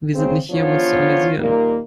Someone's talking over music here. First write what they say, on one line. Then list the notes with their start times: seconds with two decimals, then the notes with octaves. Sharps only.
Wir sind nicht hier, um uns zu amüsieren.
0.14 C#3 G#3 C4
0.50 E2 F3 B3 D4 F4 C#5
1.39 A#2 D#3 G3 A#3